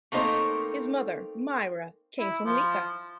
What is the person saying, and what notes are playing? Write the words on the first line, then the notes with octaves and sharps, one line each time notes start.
His mother Mira came from Lika.
A3 A#3 C4 D#4 C5 C#5
E4
F3